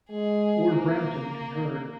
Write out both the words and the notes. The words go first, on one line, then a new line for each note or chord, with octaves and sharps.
Lord Brampton concurred.
G#3 G#4
A#3